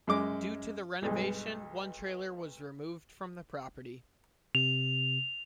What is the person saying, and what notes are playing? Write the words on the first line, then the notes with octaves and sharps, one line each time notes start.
Due to the renovation, one trailer was removed from the property.
F#2 G#3 D6
B1 G2 G#3
C3 F7